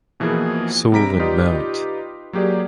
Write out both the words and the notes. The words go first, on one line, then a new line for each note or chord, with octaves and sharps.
Sole and Mt.
B2 E3 F3 A#3 G#4
C3 G3 A#5 B6 D7
D#4 F4 G4 B4 D5 D#5
F#3 A#3 G4 G#4 D5